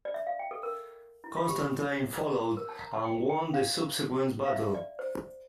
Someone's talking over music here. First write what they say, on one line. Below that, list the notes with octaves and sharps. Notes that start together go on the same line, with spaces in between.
Constantine followed, and won the subsequent battle.
D5
E5
F5
G5
A4
A#4
E4
F4
G4
A4
A#4
A5
A#5
A5
G5
G5
F5
F5
E5
D5
C5